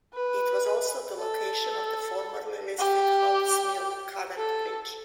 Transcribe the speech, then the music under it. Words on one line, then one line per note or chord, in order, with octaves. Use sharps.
It was also the location of the formerly listed Haupt's Mill Covered Bridge.
B4
A4
G4
A4